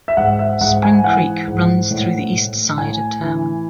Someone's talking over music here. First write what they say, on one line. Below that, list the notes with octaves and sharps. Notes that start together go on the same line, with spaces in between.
Spring Creek runs through the east side of town.
E5
G#2 F#5
E5
G#2 F#5
G#5
E3 F#5
G#2
A2
A2
A2 G#5
E3